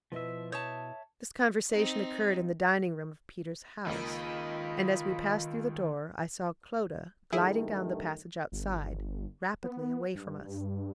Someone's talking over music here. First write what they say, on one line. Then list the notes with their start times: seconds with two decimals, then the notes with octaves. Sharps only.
This conversation occurred in the dining-room of Peters' house: and as we passed through the door, I saw Clodagh gliding down the passage outside--rapidly--away from us.
0.12 B2 F3 E4 D#5 E5
0.52 C#5 E5 A5 D#6 G6
1.72 C4 D#4
3.86 C#2 D#3 A#3 F4 D#5 B5
7.33 G2 D#3 A3 E4 G#4
8.52 G1
9.63 B3
10.15 G2